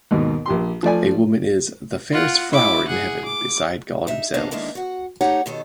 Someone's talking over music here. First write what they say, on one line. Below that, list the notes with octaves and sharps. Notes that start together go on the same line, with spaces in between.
A woman is "the fairest flower in Heaven beside God Himself".
D#2 G#2 B2
A#1 G4 C6
F3 A3 D5 G#5
F4 F#5
E4 D6
G#4 F#5
D6
D#4 E5
F3 G3 A#3 B3 D4 D#4
D3 D#3 G#3 A#3 D4 E4
F#4 F#5
A3 D#4 G4 C#5 F#5
B2 D#3 A4 C#5